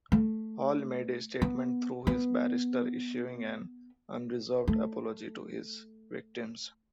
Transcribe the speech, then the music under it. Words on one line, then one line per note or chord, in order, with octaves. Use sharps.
Hall made a statement through his barrister, issuing an "unreserved apology" to his victims.
A3
B3
B3
A3